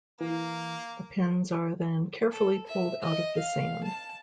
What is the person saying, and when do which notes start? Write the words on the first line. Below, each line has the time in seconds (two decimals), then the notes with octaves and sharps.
The pins are then carefully pulled out of the sand.
0.20 E3 A#3
2.31 A4
2.66 E5
3.02 D#5
3.37 F5
3.84 A5